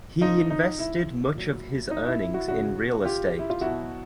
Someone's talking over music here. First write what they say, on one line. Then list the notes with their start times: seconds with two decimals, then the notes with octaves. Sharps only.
He invested much of his earnings in real estate.
0.21 C#3 F3 D#4 F4
0.50 D#4
0.79 E4
1.35 A#2 F#3
1.91 D#4
2.06 E4
2.20 E4
2.34 E4 F#4
2.48 C#3 F#3 E4 F#4
3.05 F4 G4
3.39 E4
3.50 F4
3.61 B2 F#3 E4 F#4